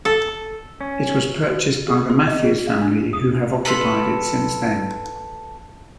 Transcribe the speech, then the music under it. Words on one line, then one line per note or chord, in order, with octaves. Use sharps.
It was purchased by the Matthews family who have occupied it since then.
A4
C#4
F#4
G#4
C6
D#5
G#4
F5
D4
D#6
F4 A4 B4 B5